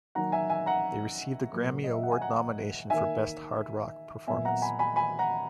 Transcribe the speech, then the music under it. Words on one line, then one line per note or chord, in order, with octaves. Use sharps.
They received a Grammy Award nomination for Best Hard Rock Performance.
D#3 F#3 A#3 F#5 A#5
E5 G#5
E5 G#5
F#5 A#5
A#2 F#3 A#3
D#5
E5
F#5
G#5
F#5 A#5
D#3 A#3 E5 G#5
A#2 F#3 B3 E5 G#5
F#5 A#5
G#5 B5
G#5 B5
G#5 B5
F#5 A#5